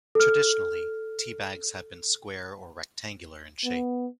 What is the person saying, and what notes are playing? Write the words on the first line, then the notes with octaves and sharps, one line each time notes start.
Traditionally, tea bags have been square or rectangular in shape.
A4 F6
B3